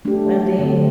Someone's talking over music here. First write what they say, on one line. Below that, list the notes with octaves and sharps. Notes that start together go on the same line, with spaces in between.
And the
A3 D4 G4
D3 A3 C4